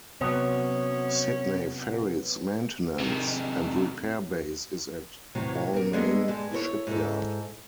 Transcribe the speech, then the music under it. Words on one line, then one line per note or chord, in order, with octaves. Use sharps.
Sydney Ferries maintenance and repair base is at Balmain Shipyard.
C3 F#3 B3 C#4
C3 D#3
A2 C3 E3 F#3
E2 A#4
G#3 A#3 B3 D4 G#4 A4
G2 G#3
E4 A4 A#4 C#5
G#2 E4 A4